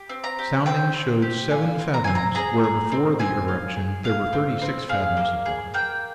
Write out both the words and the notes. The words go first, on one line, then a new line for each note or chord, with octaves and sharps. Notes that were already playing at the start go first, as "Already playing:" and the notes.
Soundings showed seven fathoms where before the eruption there were thirty-six fathoms of water.
Already playing: G4
C4
A#5
G4
C4 G5
C4
G4
F4 G#5
C4
A#5
C4 G#5
A#5
G#4 A#5
G#4
C4
C4 G#5
F4
G#4
G#4 F5
C4
C4
G#4 F5
A#3
G#4
A#3 G5